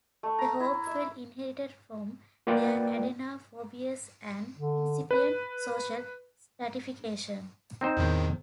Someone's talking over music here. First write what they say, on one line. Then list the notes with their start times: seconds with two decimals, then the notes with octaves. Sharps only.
The Hopewell inherited from their Adena forebears an incipient social stratification.
0.23 A3
0.39 A#5
0.60 E4
0.87 E5
2.47 A#3 F4 B4 D5 F#5 G5
4.55 D3
5.11 B4
7.81 C4 D#4 C5
7.97 E2 A2 D#3